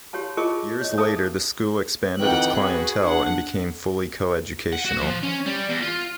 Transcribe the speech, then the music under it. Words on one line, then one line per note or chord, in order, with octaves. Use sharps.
Years later the school expanded its clientele and became fully co-educational.
F#4 G4 C#5 F5 A5
F4 G#4 A#4 D#5 A5 C#6
C#5 D#5
G#4 A4 E5 F5 A5 D#6
F2 D#3 E3 C4 F#5 G5 F#6
F#4 G#4 B4
D4 F#5
F#5
F#4
F3
C#4
G3
E2
F4